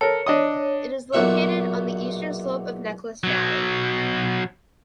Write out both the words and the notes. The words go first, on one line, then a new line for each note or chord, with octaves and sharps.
It is located on the eastern slope of Necklace Valley.
A4 A#4 C#5
D4 D#5 D#6
B1 E2 A#2 F#4 E5 C#6
B2 F#3